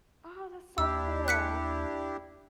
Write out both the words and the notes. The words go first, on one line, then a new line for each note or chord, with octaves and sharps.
Oh, that's so cool.
D#2 D4 E4 G4 E6
F#6 B6 C#7